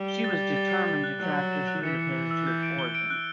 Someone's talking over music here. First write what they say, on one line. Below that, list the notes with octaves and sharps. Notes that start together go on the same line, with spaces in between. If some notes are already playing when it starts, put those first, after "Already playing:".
She was determined to track this mood of his to its origin.
Already playing: G3
G7
A6
A6
A6
A6
A6
F#6
F#3 F#6
F#6
E7
F#6
E3 C#7
C#7
C#7
E6
G6
D7
G7
D7
F#6